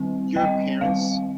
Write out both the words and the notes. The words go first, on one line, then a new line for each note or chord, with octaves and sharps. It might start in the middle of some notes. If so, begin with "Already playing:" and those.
your parents
Already playing: D#3 G3 C4
D#3 G3 C4 D#5 G5
D#3 G3 C4 F5